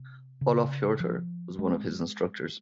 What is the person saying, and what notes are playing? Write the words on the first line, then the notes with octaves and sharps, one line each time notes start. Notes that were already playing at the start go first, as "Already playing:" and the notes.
Olof Hiorter was one of his instructors.
Already playing: C3
C#3
F3
G#3